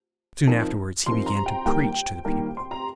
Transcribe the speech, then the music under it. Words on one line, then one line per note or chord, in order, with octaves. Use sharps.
Soon afterwards he began to preach to the people.
F3 C4 D#4 A#4
F3 C4 D#4 A#4 C6
A#5
G5
D#3 G3 A#3 G4 A#4 G5
D#3 G3 A#3 G4 A#4
C6
A#5